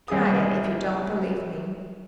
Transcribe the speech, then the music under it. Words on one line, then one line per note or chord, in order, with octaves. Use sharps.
Try it, if you don't believe me.
C2 G#4 D#6